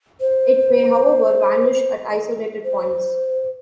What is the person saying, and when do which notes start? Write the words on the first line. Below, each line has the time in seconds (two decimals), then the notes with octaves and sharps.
It may, however, vanish at isolated points.
0.20 C5
2.64 C5